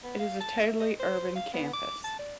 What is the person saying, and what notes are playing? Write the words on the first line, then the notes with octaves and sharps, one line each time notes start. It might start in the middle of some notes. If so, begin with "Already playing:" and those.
It is a totally urban campus.
B3
F5
A5
E5
D#5
C5
F5
B3
D6
A5
D5